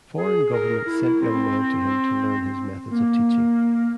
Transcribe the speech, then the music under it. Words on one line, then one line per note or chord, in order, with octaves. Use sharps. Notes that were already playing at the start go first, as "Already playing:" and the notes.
Foreign governments sent young men to him to learn his methods of teaching.
G#4
A#4
E4
C4
A#3